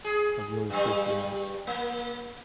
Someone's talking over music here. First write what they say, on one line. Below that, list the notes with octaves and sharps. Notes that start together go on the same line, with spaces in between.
I really appreciate it.
G#4
G2 G3
A#3